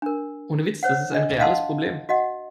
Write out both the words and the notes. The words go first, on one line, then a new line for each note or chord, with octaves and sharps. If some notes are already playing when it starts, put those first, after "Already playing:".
Ohne Witz, das ist ein reales Problem.
D4 A#4
C5 C#5 F#5
D4 D#5
D#5 F5 F#5 A5 C6
F#4 D#5 F#5